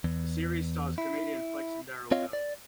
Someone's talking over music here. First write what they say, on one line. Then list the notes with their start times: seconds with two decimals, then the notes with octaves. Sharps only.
The series stars comedian Flex and Darryl Bell.
0.04 E2
0.98 E4
2.11 C4 F4 C#5 D#5 F5
2.33 D5